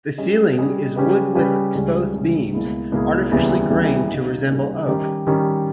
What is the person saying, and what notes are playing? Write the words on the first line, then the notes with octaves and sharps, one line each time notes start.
The ceiling is wood with exposed beams artificially grained to resemble oak.
G3 C#4 G#4 D#5
G3 C#4 G#4 D#5
C#3 G3 C#4 G4 B4
C#3 G3 C#4 G4 B4
C#2 C#3 G3 C#4
C#2 C#3 G3 C#4
C#2 B2 A#3 E4 G#4
C#2 B2 A#3 E4 G#4
D#2 C#3 E3 G3 B3
D#2 C#3 E3 G3 B3
C#3 G3 A#3 D#4
C#3 G3 A#3 D#4
D#3 G3 C#4 G4
D#3 G3 C#4 G4